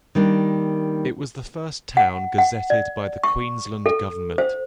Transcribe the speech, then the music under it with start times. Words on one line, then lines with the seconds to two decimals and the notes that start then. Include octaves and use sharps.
It was the first town gazetted by the Queensland Government.
0.15 D#3 G3 A#3 D4
1.97 F#5
2.38 F#5
2.70 D5
3.23 C#6
3.86 A4
4.38 C5